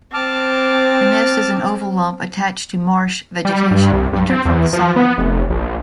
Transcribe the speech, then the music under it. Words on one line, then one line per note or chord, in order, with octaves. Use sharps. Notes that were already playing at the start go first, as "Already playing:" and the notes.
The nest is an oval lump attached to marsh vegetation, entered from the side.
C4 A5 D6 F6
G3
G2
C2
G2
C4
E2
F3
B3
F1
A#1